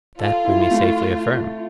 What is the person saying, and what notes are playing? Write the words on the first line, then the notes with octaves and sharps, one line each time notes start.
That we may safely affirm.
F4 A4
E4
A3